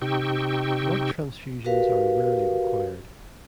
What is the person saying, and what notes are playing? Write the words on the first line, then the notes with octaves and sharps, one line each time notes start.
Blood transfusions are rarely required.
C3 D#4 G4 G5 C#6 E6
F#4 G4 A#4 B4 F5